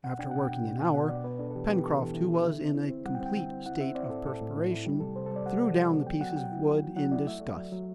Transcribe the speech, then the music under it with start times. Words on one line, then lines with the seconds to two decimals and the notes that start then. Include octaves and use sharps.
After working an hour, Pencroft, who was in a complete state of perspiration, threw down the pieces of wood in disgust.
0.04 B2 F#5
0.19 D4 G5
0.31 B2 F#5
0.44 G5
0.50 B2
0.65 B2
0.80 B2
0.94 B2 F#5
1.09 B2 D5
1.24 B3 B4
1.39 D4 A4
1.50 A4
1.55 E3 G4
1.69 B3 G4
1.84 E3 A4
2.01 E3
2.14 E3
2.31 E3
2.45 D3 E5
2.60 C4
2.75 E4
2.90 C4
3.05 G3 F#5
3.15 G5
3.21 C4
3.26 G5
3.36 D3
3.50 C4
3.66 E4 F#5
3.80 C4 E5
3.95 C4 D5
4.10 A2 A4
4.26 A2 A4
4.41 A2
4.56 A2
4.71 E4
4.86 G3 G4
5.00 C3 A4
5.15 C3 C5
5.26 A4
5.31 G3
5.36 D5
5.46 G3 F#5
5.61 C3
5.77 E3
5.91 B3
6.06 F#3 G5
6.21 F#3 F#5
6.36 F#3 G5
6.52 E4
6.67 F#3
6.82 F#3
6.96 F#3 F#5
7.12 E4 D5
7.27 A3 E5
7.41 A3
7.57 F#3
7.72 F#3